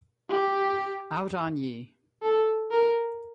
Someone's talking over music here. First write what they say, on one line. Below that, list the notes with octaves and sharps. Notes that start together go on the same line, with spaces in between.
Out on ye!
G4
A4
A#4